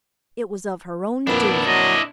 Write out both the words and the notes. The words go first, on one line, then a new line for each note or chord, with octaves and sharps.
It was of her own doing.
F2 A#2 B3 D4 E4
F#3 D#5